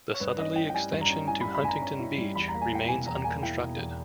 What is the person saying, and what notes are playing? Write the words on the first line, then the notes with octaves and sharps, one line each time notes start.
The southerly extension to Huntington Beach remains unconstructed.
C#5
G2 B4
C#4 D#5
E4 G5
G5
G3 G#5
G2
A#5
C#4
E4 G#5
B5
G3
B5
G2 G#5 A#5
C#4
E4
G3
E2 B5
A#5
A#3
G#5
E4 G5
B2 G#5
E2 A#5
A#3 G#5
E4 G5
B2
E2